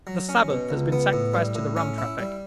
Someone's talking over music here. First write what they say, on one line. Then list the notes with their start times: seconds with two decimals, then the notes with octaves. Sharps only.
The Sabbath has been sacrificed to the rum traffic.
0.07 F#3
0.29 C#4
0.50 B2
0.70 C#2
0.92 B3
1.13 A2
1.34 G3
1.55 A2
1.77 C#4
1.98 E4
2.19 G3